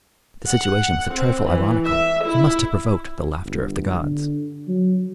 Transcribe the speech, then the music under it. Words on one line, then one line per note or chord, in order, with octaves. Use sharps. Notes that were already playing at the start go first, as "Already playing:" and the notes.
The situation was a trifle ironical, and must have provoked the laughter of the gods.
F#5
C4
E3
E5
E4
G1
D3
F#3